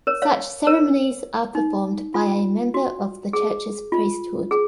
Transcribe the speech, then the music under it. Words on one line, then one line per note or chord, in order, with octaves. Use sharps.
Such ceremonies are performed by a member of the church's priesthood.
A#4 C#5
C#5 F5
A#4 C#5
D#4
F4
F#4
G#4
F4
G#4